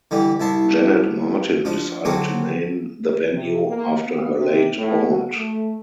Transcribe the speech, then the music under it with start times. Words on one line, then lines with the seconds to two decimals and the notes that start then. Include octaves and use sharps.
Janet Martin decided to name the venue after her late aunt.
0.11 D3 E3 G3
0.40 C2 E4 A5 C6
1.65 F3 D4
2.05 D3 F#3 C4 D4
3.34 C3
3.67 A#3
4.06 B3
4.38 C3
4.77 A2
5.06 F#4
5.36 A3